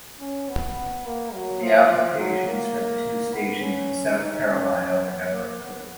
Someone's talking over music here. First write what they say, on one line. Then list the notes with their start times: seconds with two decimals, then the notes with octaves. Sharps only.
The applications for the two stations in South Carolina were never approved.
0.20 C#4
0.49 B3
1.06 A#3
1.34 F#3
1.62 F3
1.91 F3
2.20 F#3
2.47 A#3
3.33 B3
3.61 C#4
4.18 D#4
4.46 C#4
4.75 C#4
5.03 B3
5.31 A#3
5.60 B3